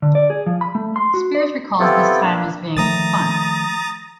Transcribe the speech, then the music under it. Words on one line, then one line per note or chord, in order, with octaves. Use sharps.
Spears recalls this time as being "fun".
D3
D5
G#4
F3
B5
A3
C6
F#4
D5
B3 C4 E4 F4 G4 A4
A#3 D4
D#3 F3 A3 A#5 D#6 A6